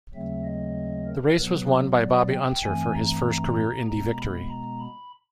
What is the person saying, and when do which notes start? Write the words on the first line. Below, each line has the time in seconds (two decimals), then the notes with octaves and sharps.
The race was won by Bobby Unser for his first career Indy victory.
0.13 D#2 C#3 F#3 A3 C4 E5
0.44 D#5
1.06 A#4
1.37 B2 F#3 B3 B4
2.00 D5
2.31 G5
2.62 G2 E3 A3 C4 G#5
2.94 A#5
3.87 B2 G#3 B3 A#5
4.18 B5
4.49 A#5
4.80 B5